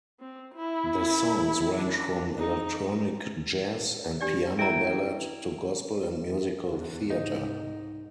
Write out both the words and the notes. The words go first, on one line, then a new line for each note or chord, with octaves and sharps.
The songs range from electronic jazz and piano ballad to gospel and musical theater.
C4
E4
D4
D#4
D4 G4 D5
E4 E5 G5 A#5
E2
C2 G#2 D#4